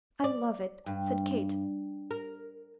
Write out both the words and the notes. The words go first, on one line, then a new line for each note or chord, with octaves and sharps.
"I love it," said Kate.
D5
G2
A#4